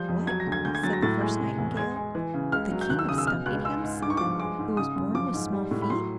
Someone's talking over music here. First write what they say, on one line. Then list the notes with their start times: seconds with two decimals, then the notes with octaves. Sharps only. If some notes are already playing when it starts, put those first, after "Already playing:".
"What!" said the first nightingale--"the King of Stumpinghame's son, who was born with small feet?"
Already playing: F3 G3 G6
0.09 F2
0.27 F#3 G#6
0.40 A#6
0.46 D2
0.52 G#6
0.65 D2 G6
0.75 G#6
0.83 F#3 A6
0.93 A#6
1.02 A2 A6
1.21 G#3
1.40 C3
1.59 E2
1.77 G#3 G#6
1.96 G#3
2.15 E3
2.34 C#3
2.52 C#2 F6
2.71 F#3
2.81 G6
2.90 D#2 F#6
2.99 E6
3.09 C#3 D#6
3.18 E6
3.27 B2 F6
3.46 C#2 F#6
3.65 G#3 E6
3.84 G#2
4.02 G2 D6
4.10 C#6
4.17 F3 D6
4.40 G#3 D6
4.59 G#2
4.77 C#3 D#6
4.96 F#2
5.15 F3 D6
5.34 G#2
5.53 G3
5.71 A2
5.82 B5
5.90 F#3 C6